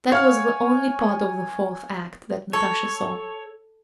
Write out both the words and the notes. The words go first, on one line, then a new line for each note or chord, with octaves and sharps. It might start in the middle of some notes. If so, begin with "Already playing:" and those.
That was the only part of the fourth act that Natasha saw.
C#5 F5 F#5 G#5 C#6 F6
A4 C#5